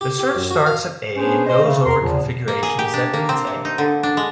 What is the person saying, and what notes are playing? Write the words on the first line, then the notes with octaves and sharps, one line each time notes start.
The search starts at A and goes over configurations that lead to A.
G4
G4
F#2
F#4
F5
B3 C#4 D4 G#4 B4 C5
C5 D#5
C#3 A3
E2 A#4 C6
E2 A#2 F3
A#3
G#4
G4
D4
A#3
C4
C3
D#4
D3
D4
G#3